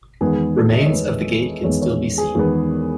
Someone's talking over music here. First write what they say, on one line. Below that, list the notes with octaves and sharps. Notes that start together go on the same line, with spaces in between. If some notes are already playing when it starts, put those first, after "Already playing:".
Remains of the gate can still be seen.
E2 D#3 G#3 B3 G#4
A4
E5
D#5
C#5
E2 D#3 G#3 B3 B4
E2 D#3 G#3 B3 C#5
C#5
G#4
E2 D#3 G#3 B3